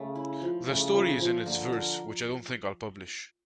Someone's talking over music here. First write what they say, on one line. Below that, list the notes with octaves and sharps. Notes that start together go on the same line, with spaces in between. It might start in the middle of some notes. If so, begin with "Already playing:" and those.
The story is in its verse, which I don't think I'll publish.
Already playing: C#3 A3
E4
F3
C#3 A3
F3
F3
D3 A#3
A#4